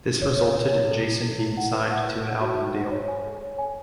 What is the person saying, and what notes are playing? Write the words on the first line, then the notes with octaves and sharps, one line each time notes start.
This resulted in Jason being signed to an album deal.
C#5
C#5
C#5
E4
A4
E4
E4
E4
F#5
B4
F#5
B4
F#5
F#4
F#4
F#5
C#5
G#5
A4
C#5
G#5